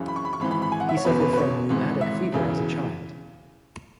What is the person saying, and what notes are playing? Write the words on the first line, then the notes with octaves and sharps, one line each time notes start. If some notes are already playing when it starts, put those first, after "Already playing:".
He suffered from rhuematic fever as a child.
Already playing: F#1 F#2 C#3 E3
B5
C#6
B5
C#6
G#1 G#2 E3 B5
B5
B5
G#5
F#5
E5
C#5
F#1 E2 B2 B4
B4
B4
C#5
G#1 G#2 E3
E5
E1 E2 C#3 E3